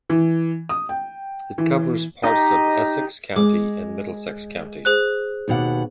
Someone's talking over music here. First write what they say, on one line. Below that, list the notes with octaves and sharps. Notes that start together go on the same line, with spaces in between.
It covers parts of Essex County and Middlesex County.
E3
D#6
G5
E3
D#4 G4 D#5
G#3 D6
G#4 C5 F#6
D#2 B2 F#5